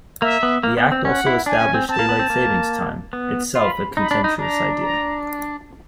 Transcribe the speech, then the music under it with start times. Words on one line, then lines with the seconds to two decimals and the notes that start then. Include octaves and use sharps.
The act also established daylight saving time, itself a contentious idea.
0.22 A#3 E5
0.43 B3
0.63 A#3
0.77 B3
0.92 C4
1.05 C#4 F#5
1.26 E4
1.46 D4 G#5
1.61 C#4
1.74 C4
1.89 C4 A5
1.99 A#3
2.09 B3
2.19 C4
2.30 A#3
3.13 B3
3.55 F4 B5
3.97 D#4 B5
4.11 D4
4.24 D#4
4.38 D4 A#5
4.80 A#5